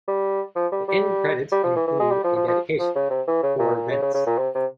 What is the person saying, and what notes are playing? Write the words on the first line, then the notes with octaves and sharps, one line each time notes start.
The end credits include a dedication, For Vince.
G3
F3
G3
G3
G3
F3
E3
E3
G#3
G3
F3
F3
F3
F3
C#3
C3
E3
C#3
A#2
A#2
C#3
C#3
C#3
A#2
C3
C3